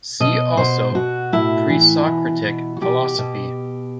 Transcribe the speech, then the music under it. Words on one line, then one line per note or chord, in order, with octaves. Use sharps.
See also: Pre-Socratic philosophy.
B2 D#5
B2 C5
B2 F#4
A2 E4
E3
B2
B2
F#4
B2 G4
B2